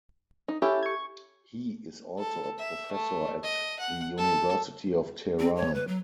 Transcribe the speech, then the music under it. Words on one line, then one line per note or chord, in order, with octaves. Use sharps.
He is also a professor at the University of Tehran.
D#4
C#4 E4 G4 A4
C#6 G#6
A4
E5
A3
D#5
F#5
A4
C4
C#5
B4
F#3